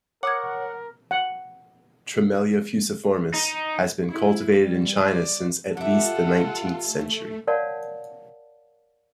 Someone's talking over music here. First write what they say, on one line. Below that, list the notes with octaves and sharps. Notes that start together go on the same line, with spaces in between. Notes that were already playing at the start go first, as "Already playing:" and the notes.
"Tremella fuciformis" has been cultivated in China since at least the nineteenth century.
A#4 C#5 F#5 D6 D#6 G#6
F#5
D#4
E4
G3
D5
F4 G4 A4 E5 F#5
A3
A#4 C#5 D5 F5 F#5 A5